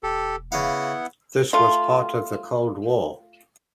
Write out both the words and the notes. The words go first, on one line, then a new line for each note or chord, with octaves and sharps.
This was part of the cold war!
E1 G4 A4
C#3 B3 E4 F5 F#5
A3 F4